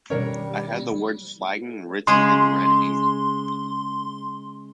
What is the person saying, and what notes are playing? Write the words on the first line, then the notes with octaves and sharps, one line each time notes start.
I had the word "flagging" written in red ink.
B2 D#3 G3 C#4 D4 A#4 C#5
C#3 G#3 G#4 C6